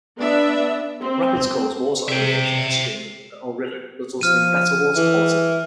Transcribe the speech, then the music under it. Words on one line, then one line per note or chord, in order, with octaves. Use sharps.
Rapids cause water aeration of the stream or river resulting in better water quality.
B3 D4 E5
C4
C3 E5 G5
F3 F6 D#7
E3